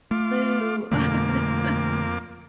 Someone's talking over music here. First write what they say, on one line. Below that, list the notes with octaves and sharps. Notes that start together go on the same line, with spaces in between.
Lou. Oh, that's so
A3 F4 D6
F2 B2 D3 A3 A#3 D6